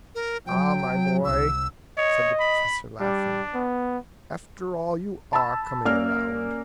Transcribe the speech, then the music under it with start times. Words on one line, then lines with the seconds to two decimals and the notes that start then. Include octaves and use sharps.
"Ah, my boy," said the Professor, laughing, "after all, you are coming round."
0.15 A#4
0.47 F#3 G5
1.25 C2 E6
1.97 C#5 D#5
2.39 B5
3.00 G3 D4
3.54 B3
5.33 A5 B5 E6
5.85 A#3 C#4 A#4 D5 F6